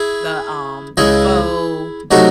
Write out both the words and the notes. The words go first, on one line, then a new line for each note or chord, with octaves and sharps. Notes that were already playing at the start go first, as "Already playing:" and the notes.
the, um the pho,
Already playing: E4 G#4
C#2 C#3 G#3 E4 G#4
C3 F#3 A3 D#4 F#4